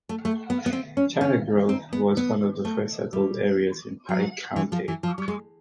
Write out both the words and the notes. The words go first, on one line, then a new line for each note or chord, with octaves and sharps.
China Grove was one of the first settled areas in Pike County.
A3
A3
B3
B3
C4
C#4
C#4
C4
B3
B3
A3
G3
F#3
E3
F3
E3
F3
G3
G#3